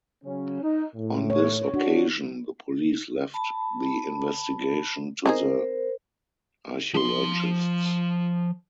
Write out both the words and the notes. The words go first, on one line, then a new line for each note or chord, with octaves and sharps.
On this occasion, the police left the investigation to the archaeologists.
C#3 F#3 C#4
D#4
A2
C#5
D4 F#4
A5 B5
C4 D#4 G#4 A#4 C5
F3 C6